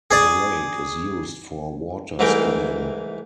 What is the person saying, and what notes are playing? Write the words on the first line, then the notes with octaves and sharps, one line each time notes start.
The lake is used for water skiing.
G#4 D5
C2 G#2 E3 A3 A#4 G5